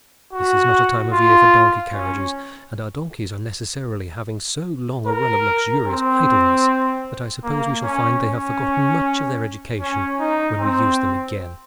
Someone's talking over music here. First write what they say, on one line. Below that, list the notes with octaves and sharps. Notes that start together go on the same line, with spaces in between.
This is not a time of year for donkey-carriages, and our donkeys are necessarily having so long a run of luxurious idleness that I suppose we shall find they have forgotten much of their education when we use them again.
F#4
F4
C#4
A#4
C4
A#3
C#4
C#4
C#4
D#4
C4